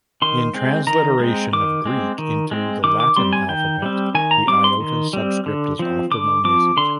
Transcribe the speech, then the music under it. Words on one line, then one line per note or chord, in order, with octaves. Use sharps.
In transliteration of Greek into the Latin alphabet, the iota subscript is often omitted.
D#3 C6
G#3 C4
D#3 A#5
G#3 C4
D#3 D6
G#3 C4
D#3
G#3 C4
D#3 D6
D6
G3 C4 C6
G#5
D#3 G5
G3 C4
D#3 G#5
A#5
G3 C4 D6
C6
D#3
G3 C4
D3
F3 C4
D3 D6
F3 C4 D6
D3 C6